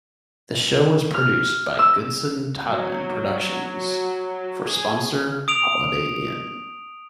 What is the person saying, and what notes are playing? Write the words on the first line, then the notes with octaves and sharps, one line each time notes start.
The show was produced by Goodson-Todman Productions for sponsor Holiday Inn.
F6
E6
F#3
G#4
D#6 D7 F7